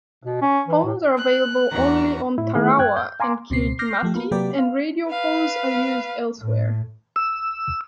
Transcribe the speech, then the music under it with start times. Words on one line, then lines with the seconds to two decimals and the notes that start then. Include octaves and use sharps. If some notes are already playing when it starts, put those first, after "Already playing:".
Phones are available only on Tarawa and Kiritimati and radio phones are used elsewhere.
0.24 B2
0.41 C#4
0.68 E3
0.84 A2
1.17 F#6
1.72 E2 F#4 A#5
2.38 A2 E4
2.55 D#3 A3 B3 E4 G#4
2.78 G2 G5 F#6 G#6
2.97 G6
3.20 F5 G#5 A#5 C6 D6
3.50 C#2 B2 C4 C7
3.79 D6 F6 G6 A#6 C7
4.03 F3 A3 G4
4.15 A#3 B3 F4
4.31 C3 F#3 A#3 G4 B4 D5
4.59 F5
5.08 B4 F5
6.39 A2
7.16 E6